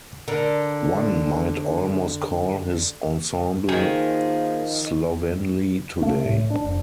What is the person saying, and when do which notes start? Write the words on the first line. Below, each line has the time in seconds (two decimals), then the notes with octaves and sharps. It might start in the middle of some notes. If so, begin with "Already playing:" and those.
One might almost call his ensemble slovenly today.
0.28 D3 A#4
3.69 D#3 F3 A#3 D#4 G#4
6.02 A3
6.26 A2
6.50 D4
6.65 F1